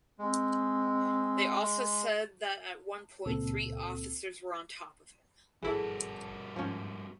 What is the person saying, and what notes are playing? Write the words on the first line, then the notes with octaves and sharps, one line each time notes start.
They also said that at one point three officers were on top of him.
G#3 C4
C#2 A#2 C4 A4 E6
G#1 G2 E3 E4 F#4 G#4 A4 A5
G#2 F3 C#4